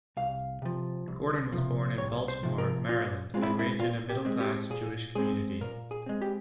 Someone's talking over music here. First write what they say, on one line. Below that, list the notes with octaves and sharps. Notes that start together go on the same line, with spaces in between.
Gordon was born in Baltimore, Maryland, and raised in a middle class Jewish community.
C2 F5
C3 F3
C2
C3 F3
C2 C#5
C5
C3 F3
A#4
A#2 F4
G#3 C4 F4
E4
E4
A#2 F4
G4
G#3 C4
G4
A#2 G#4
G#3 C4 G#4
A#2 A#4
G#4
G#3 C4
G4